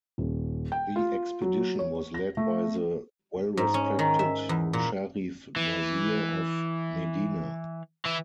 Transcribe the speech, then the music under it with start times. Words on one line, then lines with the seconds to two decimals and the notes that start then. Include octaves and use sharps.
The expedition was led by the well-respected Sharif Nasir of Medina.
0.18 D#1
0.72 G5
0.96 F4
1.42 F#3
1.79 C#5
2.14 A#6
2.37 A3
3.57 G#2
3.74 C#4
3.99 D#3
4.19 E5
4.49 E2
4.73 A#2
5.56 E3
8.05 E3